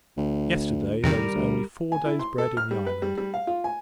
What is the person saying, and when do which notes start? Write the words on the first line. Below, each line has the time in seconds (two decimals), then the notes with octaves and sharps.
Yesterday, there was only four days bread in the island.
0.17 D2
1.04 E2 C3 D#3 G3 A#4
1.35 D2
1.92 G#5
2.06 E4
2.19 C6
2.38 A4
2.57 F6
2.71 G3
2.86 B4
3.02 G3
3.18 G3
3.34 F5
3.47 F4
3.64 G#5